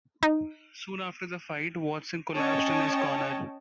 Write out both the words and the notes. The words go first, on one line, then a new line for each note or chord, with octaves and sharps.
Soon after the fight Watson collapsed in his corner.
D#4
C#4 C#5 D#5 G5 A5